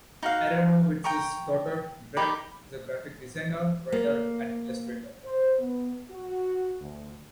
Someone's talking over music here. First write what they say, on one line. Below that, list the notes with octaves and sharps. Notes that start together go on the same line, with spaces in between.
Aronowitz's daughter, Brett, is a graphic designer, writer and illustrator.
D#4 F#4 F5
G5 A#5 C#6
D#4 G4 B5
A#3
C5
B3
F#4
D2